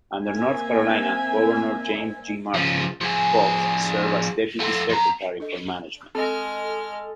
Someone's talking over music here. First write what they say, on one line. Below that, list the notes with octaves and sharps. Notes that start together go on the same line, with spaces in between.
Under North Carolina Governor James G. Martin, Foxx served as Deputy Secretary for Management.
A#3 C4 E5 G#5
C#3 F3
F3 G#4
A3 F4
F2 A#5
D4 A4 D#5
G#3 C4 A4 D#5 F6